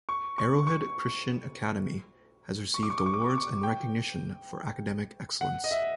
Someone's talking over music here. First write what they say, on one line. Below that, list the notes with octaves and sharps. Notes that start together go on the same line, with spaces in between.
Arrowhead Christian Academy has received awards and recognition for academic excellence.
C#6
C#6
C#6
C#6
D6
C#6
D6
C#6
D6
C#6
D6
C#6
G5
F#5
D#5
E5